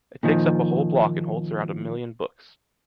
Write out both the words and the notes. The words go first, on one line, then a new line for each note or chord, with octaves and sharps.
It takes up a whole block and holds around a million books.
A#2 D#3 F3